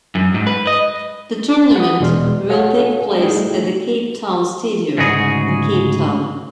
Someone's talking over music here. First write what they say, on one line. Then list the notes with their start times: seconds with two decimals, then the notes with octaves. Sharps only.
The tournament will take place at the Cape Town Stadium in Cape Town.
0.15 F#2
0.34 G#2
0.47 B4
0.67 D#5
1.76 F#5 B5 D#6
2.00 E2 B2 G#3 D5 C6 F6
2.50 F#4 A4 C#5 F5 F#5 G#5
3.19 G3 A3 D#4 E4 G4 G#4
4.98 D2 G#2 C#3 F#4 G#4